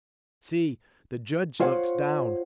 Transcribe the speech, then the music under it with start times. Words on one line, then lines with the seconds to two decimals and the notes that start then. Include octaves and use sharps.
See! the Judge looks down ...
1.60 F4 C5 C#5 F5 F#5